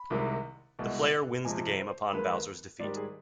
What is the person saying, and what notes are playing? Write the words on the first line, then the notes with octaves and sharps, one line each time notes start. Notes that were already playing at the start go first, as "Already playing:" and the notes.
The player wins the game upon Bowser's defeat.
Already playing: B5
C2 C3 D#3 G#3
C2 B2 G#3
F2 C3 F3 G#3 G#5
C5
D#2 D#3 G#3 B4
G#2 D#3 G3 D5
G#4